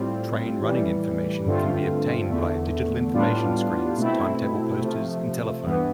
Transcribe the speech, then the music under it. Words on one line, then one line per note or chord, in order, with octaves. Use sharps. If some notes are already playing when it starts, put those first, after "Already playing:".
Train running information can be obtained via digital information screens, timetable posters and telephone.
Already playing: A2 G3 C4 F4
A2 E3 G3
G2 D3 A3 C4 F4
E2 D3 A3
A2 G3 B3 D4 F4
B2 A3 C4 E4
C3 F3 A3
G2 E3 B3